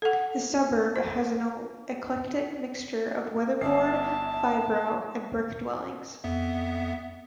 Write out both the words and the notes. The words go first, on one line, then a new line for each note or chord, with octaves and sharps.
The suburb has an eclectic mixture of weatherboard, fibro and brick dwellings.
A4 F#5
C5
G1 C#4 E5 A5 C7
F2 B3 E5